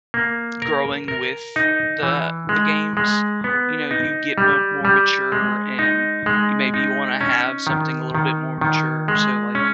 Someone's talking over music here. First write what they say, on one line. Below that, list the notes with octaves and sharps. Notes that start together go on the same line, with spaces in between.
growing with the the games. You know, you get mo more mature and you maybe you wanna have something a little bit more mature so like,
A#3
A#4
A#4
D#4
E3
G#3
G#3
B3
D#4
G3
G3
G#3
D#4
G#3
D#4
C#4
D#3
D#3
D#3
G#3
C#4